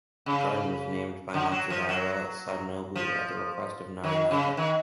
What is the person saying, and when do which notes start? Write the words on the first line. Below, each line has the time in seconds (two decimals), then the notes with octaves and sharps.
The garden was named by Matsudaira Sadanobu at the request of Narinaga.
0.26 C#3
1.34 D3
1.52 F#3
1.70 F3
1.88 F#3
2.95 F3
4.04 D#3
4.31 C#3
4.57 D#3